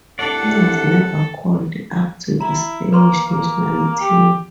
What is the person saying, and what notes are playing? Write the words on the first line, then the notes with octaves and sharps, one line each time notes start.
He was never called up to the Spanish national team.
C2 A2 D4 A4 D5 F#5
E4 A#5
A#3 B4 C6 C#6
A#3
G4